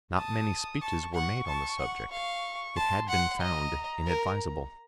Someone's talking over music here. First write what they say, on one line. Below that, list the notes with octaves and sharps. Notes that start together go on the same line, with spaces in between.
Not many speeches were made on the subject; it had been found inadvisable.
A5 D#6
A5 C#6
F#5 C#6
A5
F#5
F5 C#6
A5 C6
F#5
D#5 A#5
A#4